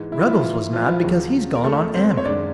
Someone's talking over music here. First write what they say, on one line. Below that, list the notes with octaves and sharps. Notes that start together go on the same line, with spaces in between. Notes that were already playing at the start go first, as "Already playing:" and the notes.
Ruggles was mad because he's gone on Em.
Already playing: G#2 E3 G#3
E4
F4
E4
F4
E3 E4
F3 F4
E4
F3 F4
D#2 C#3 F#3
A#4
A3 A4
C4 C5
C#5
F#2 D#3 G#3 D4 D5